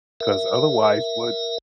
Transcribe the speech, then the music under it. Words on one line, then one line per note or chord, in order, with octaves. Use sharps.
'cause otherwise, what
A#4 E5